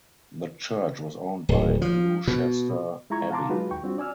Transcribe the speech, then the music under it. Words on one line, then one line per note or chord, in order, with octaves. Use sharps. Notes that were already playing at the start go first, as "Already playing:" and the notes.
The church was owned by Gloucester Abbey.
D1
F3
B2
G#3 E4 F4 A#5 C#6 G#6
F5 F#5 A5 A#5 C6 D6
F#3 G#3 D#4 F4 F#4 B4
D#2 G5 C#6
G3 C4 D4 F4 F#4
D5 G#5 E6 F6